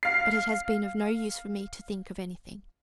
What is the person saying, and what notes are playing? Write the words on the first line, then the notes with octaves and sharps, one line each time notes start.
But it has been of no use for me to think of anything.
F5 C7